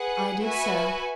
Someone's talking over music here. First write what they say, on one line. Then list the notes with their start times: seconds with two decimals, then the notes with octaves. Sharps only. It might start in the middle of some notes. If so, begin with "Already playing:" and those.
I did so.
Already playing: G#4 B4 F#5
0.43 F#4 B4 E5 G#5